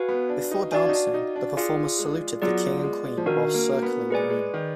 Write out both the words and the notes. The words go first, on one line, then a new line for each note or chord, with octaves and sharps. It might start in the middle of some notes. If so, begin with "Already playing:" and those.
Before dancing, the performers saluted the King and Queen whilst circling the room.
Already playing: F#4 B4 F5 G#5
B3
D4
D#4
D4 F#4 D5 F5 G#5
D#4
D4
D#4
D4
F4 G#4 D5 F5 G#5
G#3
F#3 B3 F4 G#4 D5
G#3
F3
D#3 D4 F#4 A#4 F5
A#3
A#3
B3
G#3 G#4 B4 D5 G#5
A#3
G#3
D#3